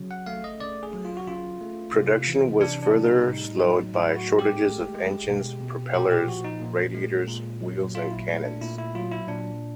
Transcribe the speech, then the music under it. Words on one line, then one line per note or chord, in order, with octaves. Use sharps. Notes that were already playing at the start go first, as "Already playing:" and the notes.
Production was further slowed by shortages of engines, propellers, radiators, wheels and cannons.
Already playing: C#3 F#3
F#5
A3 F5
D#5
C#3 D5
G#4
F#3
F4
F#4
C#3 F4
A3
C3
E3
C3 D4
D4
G3
D#4
A2
F#3
A2 E4
F#4
A3
G4
G#3
G#3
B2
B2
A#2 G4
G4
F3 F#4
D#4
A#2
G#3
A#2
F#3
A#2 F4
E4
A3 E4
D4
A#2 E4
E4
F#3 F4
E4
A#2 D4